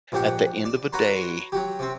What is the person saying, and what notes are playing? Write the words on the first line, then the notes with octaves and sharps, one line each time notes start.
at the end of a day
A#1 G#2 D4 G4 F#5
D5
F#4 B4 C#5 A#5 C6
F#3 F#4 G4
C3 C4